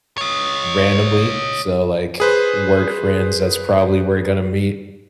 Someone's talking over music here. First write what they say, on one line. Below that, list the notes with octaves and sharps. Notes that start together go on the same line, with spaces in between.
randomly. So, like, work friends, that's probably where you're gonna meet,
C#5 D#5
G#4 B4 C5